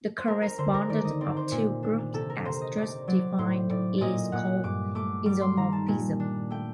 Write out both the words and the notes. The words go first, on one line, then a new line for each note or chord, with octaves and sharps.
The correspondence of two groups as just defined is called isomorphism.
C5
C4 A#4
A#4
D3 C5
A#4
D#3 D5
D#5
C4 D5
C5
A#2
D4
C3 A4
A#4
C3 C5
D#5
C3 D5
F#3 D5
A2 C5
A2 D5
A#2 D5 D#5
A#2 F#5
G2 D6
A3 D6
G3 D6
C6
D#3 A#5
A5
A#2
D4
A3 G5